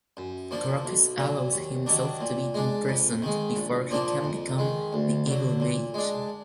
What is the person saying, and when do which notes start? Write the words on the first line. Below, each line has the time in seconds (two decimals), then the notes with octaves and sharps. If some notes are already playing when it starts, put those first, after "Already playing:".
Crocus allows himself to be imprisoned before he can become the Evil Mage.
0.17 F#2
0.51 F3 A#3 D4
0.85 B1
1.19 A#2 F#3
1.53 D#2
1.86 D#3 F#3 D4
2.20 A#2
2.54 G#3 D4
2.89 F2
3.22 D#3 G#3
3.57 A#1
3.91 A#2 F3 A#3 D4
4.24 F2
4.58 D#3 G#3
4.93 D2
5.26 D3 F#3
5.60 A#2
5.94 G#3 D4